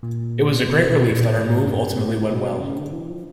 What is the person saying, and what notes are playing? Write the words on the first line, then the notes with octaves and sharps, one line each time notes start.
It was a great relief that our move ultimately went well.
A#2
B2
B2
A#2
A2
G2
A2
B2
C#3
D3
E3
F3